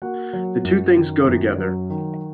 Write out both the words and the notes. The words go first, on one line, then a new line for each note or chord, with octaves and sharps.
The two things go together.
A#3 F#4 F#5
F#3
F#2
D#3
F#2
F#3
D#3